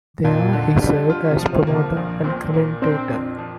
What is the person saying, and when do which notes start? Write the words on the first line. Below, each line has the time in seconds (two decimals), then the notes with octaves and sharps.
There he served as promoter and commentator.
0.24 F2 A#2
0.53 D3
0.82 G3
1.10 F4
1.31 C3
1.38 F3
1.53 C3
1.67 C3 A#3
1.75 D3
1.96 A#1 F3
2.24 A#2 C4
2.54 A#3
2.82 C4 D4
3.11 F2
3.38 F3